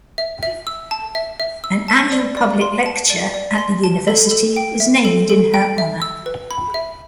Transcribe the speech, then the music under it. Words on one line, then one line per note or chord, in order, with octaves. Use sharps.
An annual public lecture at the University is named in her honour.
E5
E5
E6
A5
E5
E5
E6
A5
D5
D5
C6
A5
D5
D5
C6
A5
A4
A4
G5
E5
A4
A4
G5
E5
E6
B4
B5
E5